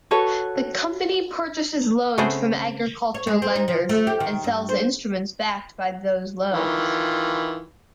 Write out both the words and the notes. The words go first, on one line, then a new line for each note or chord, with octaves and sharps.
The company purchases loans from agricultural lenders, and sells instruments backed by those loans.
F#4 A4 B4 C#5
C#3 A3 B3 C4 G#4 C5
C#5
G#3
C4
D#4
F3
A3
G4
D#3
G2
C5
D#3 E3 F4